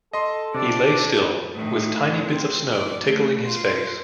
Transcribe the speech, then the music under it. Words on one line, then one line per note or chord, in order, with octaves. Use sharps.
He lay still, with tiny bits of snow tickling his face.
A4 D#5 C6
C3 D4 D5
A2 D#3
C4
D#3 D5
A3
F4